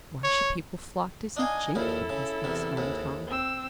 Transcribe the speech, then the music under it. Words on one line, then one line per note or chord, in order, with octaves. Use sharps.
"Why should people flock to see Jenkins?" exclaimed Tom.
C#5
D4 D#4 D#5 F5 G#5
A#1 D#2 A#2 E4 A4
C#3
E2 C3
D#2 G#2
C4 E6